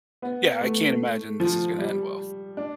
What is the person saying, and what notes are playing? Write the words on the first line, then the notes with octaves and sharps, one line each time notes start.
yeah, I can't imagine this is gonna end well.
B3
A3
F3
G3
D4